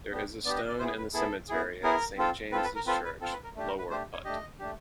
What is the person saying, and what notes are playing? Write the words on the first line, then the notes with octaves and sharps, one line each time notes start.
There is a stone in the cemetery at Saint James's Church, Lower Hutt.
B3 D4 G4
B3 D4 G4 D5
D#5
D5
B3 E4 G#4 C5
B4
B3 E4 G#4 A4
B3 E4 G#4
B3 E4 G#4 A#4
C4 F4 A4
C4 F4 A4 B4
B4
A#4
C4 F4 A4 B4
B4
C4 F4 A4
B4
A#4
A3 D4 G4
A#4
B4
A3 D4 G4 C5
C#5
A3 D4 G4 D#5
A3 D4 G4